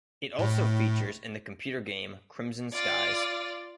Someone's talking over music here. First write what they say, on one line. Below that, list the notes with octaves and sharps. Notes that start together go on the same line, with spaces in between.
It also features in the computer game "Crimson Skies".
A2
F4 D5